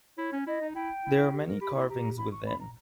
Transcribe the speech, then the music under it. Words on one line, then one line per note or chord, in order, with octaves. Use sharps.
There are many carvings within.
E4 C#5
C#4
E4 D#5
D#4
E4 G5
E4
G4
A#4
G4 B5
E4 B5
G4 A#5
E4 B5
C#6
B5
A#5